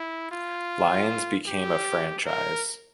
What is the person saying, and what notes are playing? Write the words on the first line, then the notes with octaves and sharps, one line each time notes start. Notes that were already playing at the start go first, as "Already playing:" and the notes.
Lions became a franchise.
Already playing: E4
F4
G4
A#4